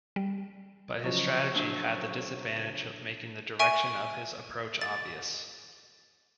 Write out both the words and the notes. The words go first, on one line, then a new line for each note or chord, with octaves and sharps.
But his strategy had the disadvantage of making the direction of his approach obvious.
G3
C#3 F3 F#3 C#5 D#5
A#3 D4
E5 G#5 C#6 D7 D#7
A6